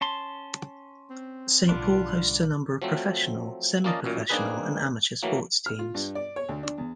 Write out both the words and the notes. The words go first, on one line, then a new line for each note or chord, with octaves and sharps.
Saint Paul hosts a number of professional, semi-professional, and amateur sports teams.
C#4 A5 C6
C4
B1 A2 D3 G3 D4 F4
F3 F#3 A3 C4
A#3 C#4 F4 D5 D#5 A5
A1 F#2 A#2
A#3 C4 D4 D#4 G#4 B4
E3 F#3 A3 A#3
F6
F4
G2
D5
C#5
D2
D4
E2